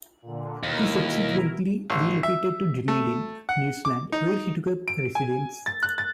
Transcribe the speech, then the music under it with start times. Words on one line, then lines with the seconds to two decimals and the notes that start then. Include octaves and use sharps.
He subsequently relocated to Dunedin, New Zealand, where he took up residence.
0.22 A#2 D3
0.63 D#2 B2 E4 A#4
1.90 A1
2.23 E5
2.88 A3
3.49 F#5
3.85 D6
4.12 D#4
4.88 D7
5.15 G#5
5.66 A6
5.83 F#6
5.98 A6